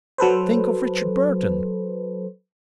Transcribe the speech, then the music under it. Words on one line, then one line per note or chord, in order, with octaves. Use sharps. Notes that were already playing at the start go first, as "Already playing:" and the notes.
Think of Richard Burton!
F#3 A4 B4 C5